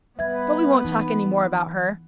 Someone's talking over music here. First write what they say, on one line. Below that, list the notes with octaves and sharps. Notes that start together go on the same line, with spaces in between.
But we won't talk any more about her.
G3 B3 B4 E5 G#6
E3 D#4